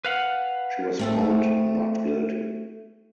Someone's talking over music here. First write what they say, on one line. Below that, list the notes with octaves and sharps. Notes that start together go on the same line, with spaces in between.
She was found not guilty.
B4 F5 F#5
A3 C4 A4